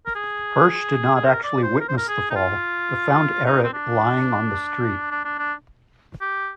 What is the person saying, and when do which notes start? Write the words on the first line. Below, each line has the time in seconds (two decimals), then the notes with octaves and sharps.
Hirsch did not actually witness the fall but found Ehret lying on the street.
0.06 A#4
0.15 G#4
1.15 G#4
1.26 A#4
1.44 D5
1.63 C5
1.81 A#4
1.89 C5
1.98 A#4
2.08 G#4
2.31 D#4
2.36 F4
3.46 D#4
3.64 C4
3.73 D4
5.11 D4
5.25 D4
5.39 D4
6.21 G4